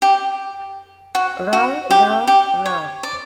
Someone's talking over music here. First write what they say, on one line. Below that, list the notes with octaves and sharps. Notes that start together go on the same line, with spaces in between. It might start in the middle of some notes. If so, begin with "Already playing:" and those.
Rah, rah, rah!!!
G4
F#4
F#4
G4
G4
C#5
D5